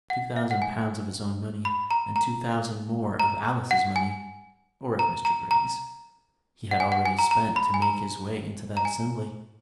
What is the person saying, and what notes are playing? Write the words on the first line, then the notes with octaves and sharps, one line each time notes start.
Two thousand pounds of his own money, and two thousand more of Alice's money,--or of Mr. Grey's,--he had already spent to make his way into that assembly.
F#5
E5
F#5
G#5
B5
A#5
A#5
A#5
F#5
G#5
A#5
A#5
A#5
F#5
G#5
F#5
G#5
A#5
A#5
B5
G#5
A#5
A#5
G#5